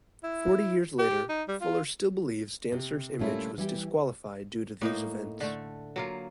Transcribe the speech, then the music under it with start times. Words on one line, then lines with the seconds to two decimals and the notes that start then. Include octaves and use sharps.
Forty years later, Fuller still believes Dancer's Image was disqualified due to these events.
0.24 E4
0.99 G4
1.29 D#4
1.48 G3
1.61 F4
2.72 C3
3.19 A#2 G3 A3 C#4 E4 F4
3.58 E3 G3 E4 G4
4.82 A2 A#3 D#4
5.40 D3 A3
5.96 F#3 A#3 F4